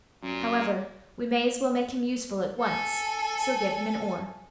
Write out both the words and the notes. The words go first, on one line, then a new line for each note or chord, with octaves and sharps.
However, we may as well make him useful at once; so give him an oar.'
F#2 A#2
A4 G#5